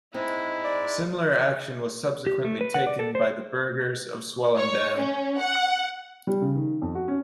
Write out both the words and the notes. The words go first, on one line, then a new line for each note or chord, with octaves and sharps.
Similar action was subsequently taken by the burghers of Swellendam.
G#3 C4 D#4 E4
D5
G4
A3
B4
F#5
D5
A4
C5
C#5
C#4
F#5
G3
C#3
D#3
F2
F#4
C#4